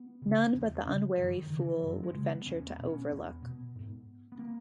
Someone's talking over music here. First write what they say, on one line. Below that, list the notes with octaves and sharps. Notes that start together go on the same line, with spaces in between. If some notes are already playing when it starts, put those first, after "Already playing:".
None but the unwary fool would venture to Overlook.
Already playing: B3
C#3
E2
C#3
F#2 E3
D#3
C#3
E3
F#2 F#3
G#3
C#3
B3
E2 C#4
B3
B2
C#4
C#4
E2 B3
B2
G#2
B3
A#3